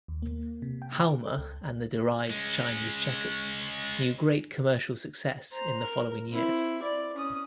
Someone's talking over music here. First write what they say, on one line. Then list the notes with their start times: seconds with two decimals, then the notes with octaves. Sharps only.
Halma and the derived Chinese checkers knew great commercial success in the following years.
0.08 D#2
0.22 A#3
0.62 C3
0.82 G5
1.25 A4
1.38 C#2
2.30 G#3 C#4
5.52 C5 A#5
5.83 A#4
6.31 C4 E4
6.82 D5
7.15 C#4 D#6